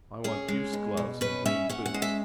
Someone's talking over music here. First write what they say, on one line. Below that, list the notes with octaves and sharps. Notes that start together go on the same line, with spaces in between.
I want puce gloves and green boots.
C#4 G#4
G#3
B2
B2
C#4 B4
C#4 E5
C#4 F#5
F#5
G#3
E5